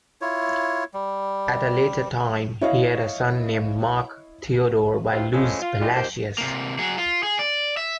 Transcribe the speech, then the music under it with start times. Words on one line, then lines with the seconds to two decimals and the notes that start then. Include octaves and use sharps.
At a later time, he had a son named Marc Theodore by Luz Palacios.
0.21 E4 F4 C#5
0.94 G3
2.61 E4 C#5 D#5 F5
5.12 G2 C3 E3 F4
5.33 E3 F3 G#3 A3 C#4
5.61 F4
5.80 E3 G3 D#4 F4
5.94 A#2 D#3 G4 C5
6.38 C3 A#3
6.79 F#3 G#4
6.98 F4
7.23 G#4
7.39 D5
7.77 E5